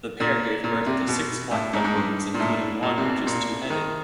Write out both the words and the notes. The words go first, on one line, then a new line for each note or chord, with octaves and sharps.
The pair gave birth to six black ducklings including one which is two-headed.
A#2
A#2
C3
B2
A2
G#2
G#2
G2
A#2
A2
A#2
C3
B2
A#2
D#3